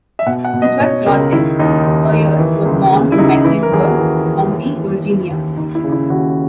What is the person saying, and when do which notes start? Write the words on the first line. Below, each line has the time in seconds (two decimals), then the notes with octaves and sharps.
Richard Clauselle Puryear was born in Mecklenburg County, Virginia.
0.19 E5
0.26 B2 F#5
0.45 F#5
0.53 B2
0.62 D#5
0.80 B2 C#5
1.06 C#2 A#4
1.32 D#3 E4
1.59 D#2 D#4
1.86 D#2
2.12 D#3
2.39 E3
2.65 C#2
2.92 C#3
3.12 E4
3.18 C#2 D#4
3.45 E3 E4
3.63 A#4
3.72 D#2 G#4
3.85 F#4
3.99 E3
4.25 E3
4.51 D#2
4.77 E3
5.04 E3
5.30 D#2
5.57 D#2 D#4
5.75 E4
5.84 C#3
5.92 E4
6.10 D#2 F#4